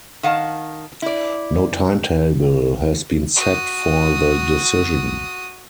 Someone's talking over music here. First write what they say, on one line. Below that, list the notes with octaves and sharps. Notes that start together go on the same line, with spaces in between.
No timetable has been set for the decision.
D#3 F5 F#5 A5
E4 D5
F#4 D#6